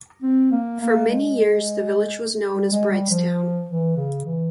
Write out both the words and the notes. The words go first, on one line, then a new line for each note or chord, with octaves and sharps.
For many years, the village was known as "Brightstown".
C4
A#3
A#3
G#3
G3
G#3
G3
F3
E3
C#3
E3